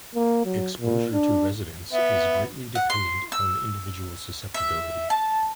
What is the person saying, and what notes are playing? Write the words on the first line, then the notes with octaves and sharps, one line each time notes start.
Exposure to residents is greatly dependent on individual susceptibility.
A#3
F#3
A#2
D4
B3 E5
F#5
C6
E6
E5
A5